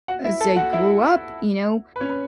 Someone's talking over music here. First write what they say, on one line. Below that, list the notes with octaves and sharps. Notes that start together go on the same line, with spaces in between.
as I grew up, you know,
F#4 F#5
E4 E5
A4 A5
F#4 F#5
E4 E5
B4
C#4 C#5
B4